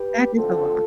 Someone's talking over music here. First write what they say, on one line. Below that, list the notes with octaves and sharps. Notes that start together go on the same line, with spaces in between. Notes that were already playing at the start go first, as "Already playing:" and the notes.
That is a lot.
Already playing: G4 B4
D2 D3 F3 C4 F4 A4